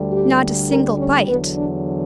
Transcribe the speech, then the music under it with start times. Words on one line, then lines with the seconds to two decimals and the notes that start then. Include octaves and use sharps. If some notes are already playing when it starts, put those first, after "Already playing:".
Not a single bite.
Already playing: D2 D3 G3
0.12 G4
0.70 A#4
0.98 C#4
1.28 E2 D3 F#3 B3
1.57 D4